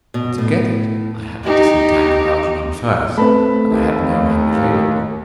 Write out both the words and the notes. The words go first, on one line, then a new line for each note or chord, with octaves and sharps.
But to get it I had to disentangle Algernon first, and I had no hand available.
B2
A2
D#4 G4
A3 C4 A4 B4 A5 B5
D#2